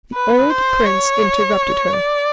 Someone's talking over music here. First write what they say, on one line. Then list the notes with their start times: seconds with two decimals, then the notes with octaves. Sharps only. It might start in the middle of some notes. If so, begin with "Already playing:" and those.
The old prince interrupted her.
0.15 B4
0.51 C5
0.86 C#5
1.93 D5